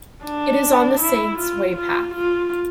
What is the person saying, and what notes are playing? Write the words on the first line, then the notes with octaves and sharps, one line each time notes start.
It is on the Saints' Way path.
D4
E4
F4
F4
F4